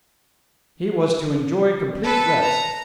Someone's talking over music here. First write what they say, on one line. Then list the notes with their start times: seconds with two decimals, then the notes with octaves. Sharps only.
He was to enjoy complete rest.
2.04 A4 B4
2.43 A#5